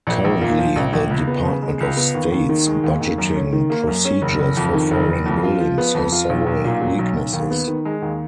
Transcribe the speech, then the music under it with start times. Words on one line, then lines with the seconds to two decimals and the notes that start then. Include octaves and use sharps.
Currently, the Department of State's budgeting procedures for foreign buildings has several weaknesses.
0.07 A#1
0.24 A#1
0.41 A#2
0.59 F3
0.76 A#1
0.93 A#1
1.11 C#2
1.27 B3
1.45 C#3
1.62 G#3
1.80 C#2
1.97 B3
2.14 D#2
2.31 D#2
2.49 D#3
2.67 G#3
2.84 D#2
3.01 D#2
3.18 F#2
3.36 C#4
3.53 D#3
3.70 A#3
3.87 F#2
4.05 C#4
4.22 F#1
4.39 F#1
4.57 F2
4.73 D#3
4.91 F#1
5.08 F#1
5.26 F2
5.43 F4
5.60 F3
5.78 B3
5.95 F2
6.12 F4
6.29 B1
6.46 B1
6.64 A#2
6.81 F#3
6.99 B1
7.15 B1
7.33 D#2
7.51 B3
7.67 D#3
7.85 G#3
8.02 D#2